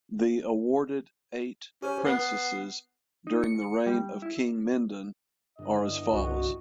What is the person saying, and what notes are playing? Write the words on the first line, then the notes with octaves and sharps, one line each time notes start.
The awarded eight princesses during the reign of King Mindon are as follows.
C#4 G4 C5
B3 C7
D#4
C#7
G3
E4
G2 D3 B3 E4 D#5
C2 F#4